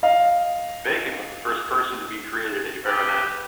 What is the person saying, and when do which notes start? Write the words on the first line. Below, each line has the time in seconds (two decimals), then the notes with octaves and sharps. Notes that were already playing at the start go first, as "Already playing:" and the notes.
Bacon was the first person to be created a baronet.
0.03 D#5 F5
2.87 G4 B4